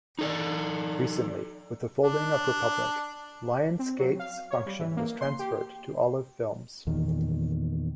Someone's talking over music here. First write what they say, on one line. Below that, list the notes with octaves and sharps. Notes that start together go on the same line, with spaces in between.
Recently, with the folding of Republic, Lionsgate's function was transferred to Olive Films.
D#4 A4 D5
D4
C4
F#3
F5
C#5
G3
E3
A#3
C6
G4
E2 A#2 D#3